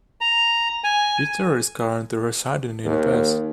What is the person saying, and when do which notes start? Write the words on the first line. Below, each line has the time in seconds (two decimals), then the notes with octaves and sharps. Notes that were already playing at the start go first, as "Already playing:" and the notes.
Peter is currently residing in Perth.
0.21 A#5
0.84 G#5
2.85 D#2